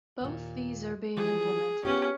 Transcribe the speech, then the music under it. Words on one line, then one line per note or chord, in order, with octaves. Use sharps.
Both these are being implemented.
D#2 A#2
E3 F3 G3 G#4
B3 C#4 F4 G4